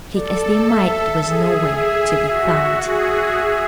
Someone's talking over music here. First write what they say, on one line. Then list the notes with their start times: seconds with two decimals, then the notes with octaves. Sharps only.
Seek as they might, it was nowhere to be found.
0.16 A4 D5
0.69 E5
1.22 G#4 E5
1.75 G#4 E5
2.28 F#4 E5
2.82 G#4 E5
3.35 G#4